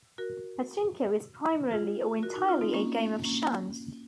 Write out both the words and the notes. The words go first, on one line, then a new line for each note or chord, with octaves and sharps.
Pachinko is primarily or entirely a game of chance.
F#4 A#4
F4 G#4
F#4 A#4
D#4 F#4
C#4 F4
C4 D#4
A#3 C#4
A#3 C#4